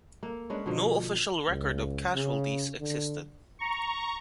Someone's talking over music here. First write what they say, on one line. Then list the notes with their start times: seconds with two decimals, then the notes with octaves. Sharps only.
No official record of casualties existed.
0.23 A#3 A4
0.50 G#3 C#4 D4 B4
0.66 B2 D3 F3 A#3
1.47 C#2
2.15 C#3
2.80 D3
3.59 A#5 C#6